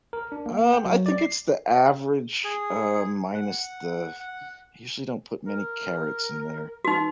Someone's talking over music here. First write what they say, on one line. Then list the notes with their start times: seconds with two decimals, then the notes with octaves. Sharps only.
Um, I think it's the average, uh, minus the I usually don't put many carrots in there.
0.13 A#4
0.32 D4
0.46 A#3
0.61 A#3
0.73 G5
0.86 F#3
1.06 D5
1.18 C7
2.44 G#4
3.35 F#5
4.20 F#5
5.47 A#4
6.85 E3 D#4 F#4